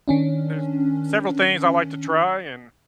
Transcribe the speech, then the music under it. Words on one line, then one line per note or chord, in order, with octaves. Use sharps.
there's several things I like to try, and,
D#3 C#4 D4